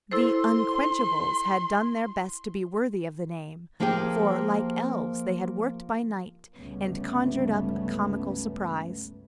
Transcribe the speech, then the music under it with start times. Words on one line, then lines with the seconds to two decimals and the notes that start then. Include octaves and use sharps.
The Unquenchables had done their best to be worthy of the name, for like elves they had worked by night and conjured up a comical surprise.
0.11 E4 A4 C5 C6
3.80 F3 A#3 G4 G#4 G5
6.57 G1 C#2 G3 A3 B3 C#4